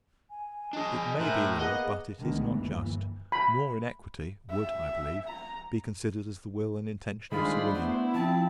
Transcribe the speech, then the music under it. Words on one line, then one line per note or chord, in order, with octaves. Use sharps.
It may be law, but it is not just; nor in equity would, I believe, be considered as the will and intention of Sir William.
G#5
D4 G#4 D#5
A2 A#4 C5 E5 F#6
A#3 B3 G#4 D#5 F#5
C2 D3 D#3 G#3 A3 B3
G1 D#2 E3 A#3
B5
E5
A#5
D#3 G3 G#3 D4 F4 G#4 C5 B5
A3 B3 E4
F3 C4 A5